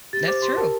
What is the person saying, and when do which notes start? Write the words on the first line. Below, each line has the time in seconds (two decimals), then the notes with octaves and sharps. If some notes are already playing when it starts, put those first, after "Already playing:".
That's true.
0.13 G4 A6
0.28 C5 D6
0.42 G4 C6
0.57 A#4 A5